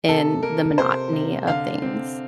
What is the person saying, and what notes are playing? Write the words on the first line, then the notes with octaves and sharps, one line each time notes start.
in the monotony of things.
C3 A4
A#3 A#4
C3 C5
C3
D3 F5
C4